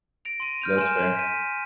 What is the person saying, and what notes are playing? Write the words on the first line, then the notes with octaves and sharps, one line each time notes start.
That was fair.
A#6 D7 F7
C6 D#7
F6 G6 F7
G#5 C6 F6 D7 E7
B6 D#7